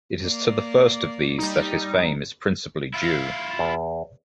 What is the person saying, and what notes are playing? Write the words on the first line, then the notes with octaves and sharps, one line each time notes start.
It is to the first of these that his fame is principally due.
A#3 D5
G3 D#4
E4 F4
E2